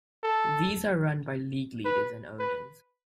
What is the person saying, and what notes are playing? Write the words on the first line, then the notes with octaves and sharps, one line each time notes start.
These are run by League leaders and owners.
A4
B4
B4